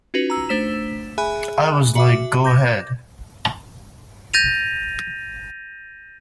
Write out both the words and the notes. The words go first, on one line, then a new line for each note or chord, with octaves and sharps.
I was like, 'Go ahead.
C#4 D#4 F4 F#4 B4
A#5 E6
A3 D4 C5 E6 B6 E7
G#4 E5 G#5 B5 F#6
F#4 E5 D6
D6 G6 A#6
G6 A6 A#6 D#7 F7